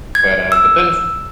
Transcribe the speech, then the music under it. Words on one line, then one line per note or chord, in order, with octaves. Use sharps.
M but uh, but then it's
G#6
E6